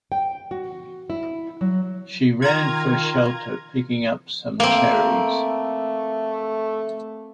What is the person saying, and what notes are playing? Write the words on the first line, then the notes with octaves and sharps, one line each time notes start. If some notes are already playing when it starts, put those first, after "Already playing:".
She ran for shelter, picking up some cherries.
G5
F#4
E4
F#3
D#3 F4 A#5 G#6
A3 A#3 C4